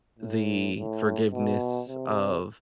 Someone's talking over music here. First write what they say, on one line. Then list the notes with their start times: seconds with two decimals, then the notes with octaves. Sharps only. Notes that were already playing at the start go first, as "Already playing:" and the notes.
the forgiveness of
0.19 A2
0.75 A2
1.32 B2
1.89 C3